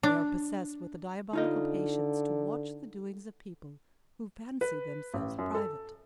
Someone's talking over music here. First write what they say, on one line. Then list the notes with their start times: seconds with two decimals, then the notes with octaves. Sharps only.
They are possessed with a diabolical patience to watch the doings of people who fancy themselves private.
0.03 D4
1.33 D3 D#4 F4 D#5
4.61 B4
5.14 A1
5.38 F#2
5.55 A4